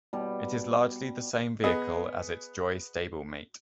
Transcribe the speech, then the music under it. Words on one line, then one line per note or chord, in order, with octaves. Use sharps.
It is largely the same vehicle as its Joy stablemate.
B2 G3
B3 G#4 D#5